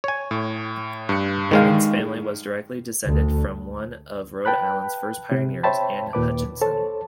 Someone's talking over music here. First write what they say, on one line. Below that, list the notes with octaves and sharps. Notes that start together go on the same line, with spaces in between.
Vernon's family was directly descended from one of Rhode Island's first pioneers, Anne Hutchinson.
C#5 G#5
A2
G2 C#7
D#3 G#3 F5
D2
B4 G5 A5 B5 F#6
C3
C5 C#5 E5 G5 A5 B5
D#2 A#2 B4 D6
A4 C5 C#5 A5